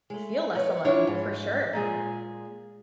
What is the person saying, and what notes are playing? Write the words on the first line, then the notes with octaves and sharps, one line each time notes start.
feel less alone, for sure.
G#3 A3
B4 C#5 D5
C4 D4 E4 F4 C#5
G#2
A#2 G#3 G#4